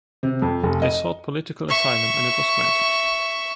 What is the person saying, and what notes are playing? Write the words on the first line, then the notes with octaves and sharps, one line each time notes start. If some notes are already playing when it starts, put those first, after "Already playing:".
They sought political asylum and it was granted.
C3
F2
F1
D#5
E5 C#6